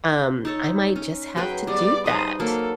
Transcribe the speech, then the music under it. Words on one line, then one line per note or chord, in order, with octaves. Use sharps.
um, I might just have to do that.
D#4 A4 C#5
C#4
F#3 G#4 B4 G5
G3 B3 G#4 D5
D#4 B4 C5 D#6
F#3 A#3 A4